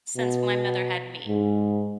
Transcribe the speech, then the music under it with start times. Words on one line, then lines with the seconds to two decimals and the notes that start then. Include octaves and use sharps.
since my mother had me,
0.16 B2
1.27 G#2